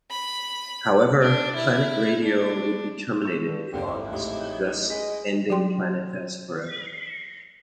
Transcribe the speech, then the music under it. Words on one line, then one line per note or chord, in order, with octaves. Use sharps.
However, Planet Radio would be terminated in August thus ending Planetfest forever.
B5
D4
E4
D4
C#6 E6 G6
G2
F#1 F#2 D3 G3 G4 C5 F5
G#1 F2 E4
A1 F#3 G#3 D#4 G4
G#3 E4 B4 D#5 B6
F#3 F#4 D5 G5 C6